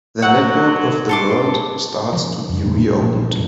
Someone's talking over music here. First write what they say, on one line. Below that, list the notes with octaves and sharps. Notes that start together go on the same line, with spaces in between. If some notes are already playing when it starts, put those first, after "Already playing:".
The network of the world starts to be reopened.
F#3 F#5
A4 C6 D6
C#3 F3
F2
D2 A#2 F#3 A3
G#3
A#2 F3
E1 F#2 A2 F#3